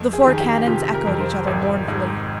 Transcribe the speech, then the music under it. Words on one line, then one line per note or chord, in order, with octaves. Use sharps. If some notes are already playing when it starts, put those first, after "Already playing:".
The four cannons echoed each other mournfully.
Already playing: F2
G#4
G4
D#3 G#4
G4
G4
C3 F4
A#4
F2
C5
G#1
G#2